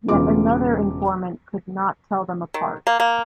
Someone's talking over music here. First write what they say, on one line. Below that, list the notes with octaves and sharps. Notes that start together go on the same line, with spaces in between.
Yet another informant could not tell them apart.
E1 C#3 B3 F4 D6
D#3
A#3
A#3